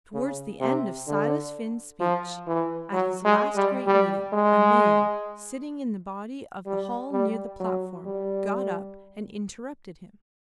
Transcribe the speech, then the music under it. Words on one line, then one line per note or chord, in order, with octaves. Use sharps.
Towards the end of Silas Finn's speech, at his last great meeting, a man, sitting in the body of the hall near the platform, got up and interrupted him.
C#3
C3
D3
F3
E3
F#3
G#3
G3
G3
G#3
G3
G3
F#3
G3